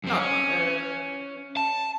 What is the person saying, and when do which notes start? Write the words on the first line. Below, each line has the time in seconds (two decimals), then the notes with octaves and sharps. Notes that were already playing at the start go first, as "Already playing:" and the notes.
not eh
0.04 F#2 C4
0.16 C#4
1.57 A5